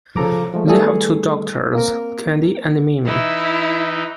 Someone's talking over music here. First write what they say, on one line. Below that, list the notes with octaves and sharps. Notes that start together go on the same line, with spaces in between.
They have two daughters, Candy and Mimi.
C#3 F3 A4 A#5 D6
F3 G#3 A3
D#3 G3 A3 B3 G#4 A4
A#3 C4 A#4
E3 D#4 E4